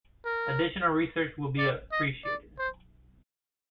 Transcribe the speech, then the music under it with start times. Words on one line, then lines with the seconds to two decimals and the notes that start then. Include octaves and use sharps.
Additional research would be appreciated.
0.25 A#4
1.58 D5
1.92 D#5
2.25 D5
2.58 C5